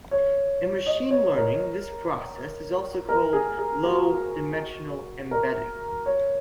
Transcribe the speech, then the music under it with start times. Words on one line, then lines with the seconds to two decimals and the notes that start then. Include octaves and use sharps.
In machine learning this process is also called low-dimensional embedding.
0.11 C#5
0.86 D#5
1.11 C#5
1.36 A#4
3.09 A#4
3.33 G#4
3.58 G#4
3.84 F#4
5.31 A#4
6.06 C#5